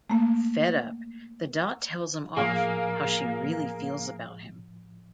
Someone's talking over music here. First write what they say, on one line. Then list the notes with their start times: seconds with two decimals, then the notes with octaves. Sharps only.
Fed up, the dot tells him off how she really feels about him.
0.10 A3 A#3
2.37 A2 F3 A#3 G#4 F5